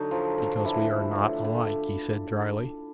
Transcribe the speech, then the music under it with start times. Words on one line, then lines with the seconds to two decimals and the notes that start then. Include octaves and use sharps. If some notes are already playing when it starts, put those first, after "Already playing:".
"Because we are not alike," he said drily.
Already playing: D3 F#3 D#4
0.11 F3
0.38 D3
0.65 E3 D4 E4
0.91 A2
1.18 F#3
1.44 D3